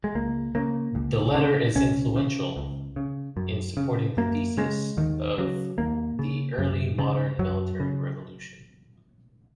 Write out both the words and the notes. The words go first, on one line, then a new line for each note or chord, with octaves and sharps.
The letter is influential in supporting the thesis of the early-modern Military Revolution.
G#3
C#2 A#3
C#3 A#3
C#2
C#3
C#2 C#4
C#3
C#2
C#3
F#2
C#3
F#2 A#3
C#3 G#3
D#2 D#3
C#3 F#3
D#2 A#3
C#3
F#2
C#3
F#2 F#3
C#3